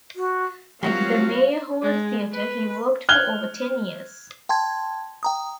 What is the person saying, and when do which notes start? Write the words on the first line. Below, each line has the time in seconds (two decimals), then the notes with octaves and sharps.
At the Meyerhold Theatre he worked for over ten years.
0.16 F#4
0.83 F#3 G3 A#3 C4 F4 F#4 F5
1.82 G#3
2.32 B4
3.09 F6 F#6 G#6 G7
4.49 G5 A5 C6 G#6
5.23 G5 A#5 D#6